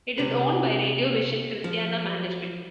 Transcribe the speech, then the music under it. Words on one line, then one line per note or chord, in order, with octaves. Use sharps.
It is owned by Radio Vision Cristiana Management.
C3 B4
F3